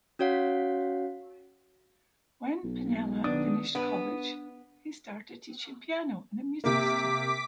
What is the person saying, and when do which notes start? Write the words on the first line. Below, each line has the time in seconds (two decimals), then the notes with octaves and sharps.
When Pinnella finished college, he started teaching piano in a music store.
0.19 C#4 F#4 C#5 F5 F#5
2.64 B1
3.24 D#3 B3 D4 D#6
3.75 B3 D4 B4
6.64 C3 A#3 D6 B6